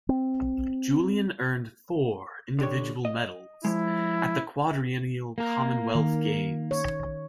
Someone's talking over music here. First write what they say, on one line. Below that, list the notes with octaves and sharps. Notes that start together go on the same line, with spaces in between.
Julien earned four individual medals at the quadrennial Commonwealth Games.
C4
D3 G4 C#5
D#5
F3 G#3 E4
A#3 A#4
D#3
C#5